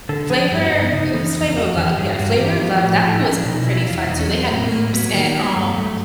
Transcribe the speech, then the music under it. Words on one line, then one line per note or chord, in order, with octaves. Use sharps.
Flavor it was Flavor of Love, yeah, Flavor of Love, that one was pretty fun, too. They had Hoops, and, um,
D3 A4
F3 G#4
G2 G4
F#4
G2 D#4
B3
C#3 D#4
E3 D#4
F2
F2 F#4
E3 G4
G2 G#4
F4
G2 F#4
E3 G4
F3 F#4
F4
A2 F#4
A2 F4
E4
F3 C#4
D4
B2 D#4
F#3 E4
E2 F4
E4
E2 D#4
C#4
F#3 C4
A2 A#3
A2 A#3
F#3 B3
D#3 A#3
F#3 B3
G2 A3
G2 A3